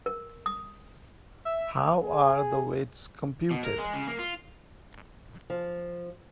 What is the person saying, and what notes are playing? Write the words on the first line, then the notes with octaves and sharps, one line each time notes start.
How are the weights computed?
A#4
D#6
E5
G#4
B2
A#4
G#3
C#3
A#3
F4
F3